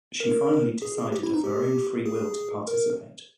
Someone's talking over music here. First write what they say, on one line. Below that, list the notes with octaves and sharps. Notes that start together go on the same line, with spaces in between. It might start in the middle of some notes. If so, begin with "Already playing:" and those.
She finally decided of her own free will to participate.
A#4
G#4
G#4
G4
E4
D#4
G4
G#4
A#4